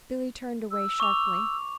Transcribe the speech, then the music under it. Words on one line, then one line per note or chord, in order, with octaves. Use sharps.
Billy turned away sharply.
E6
C#6 D6 F7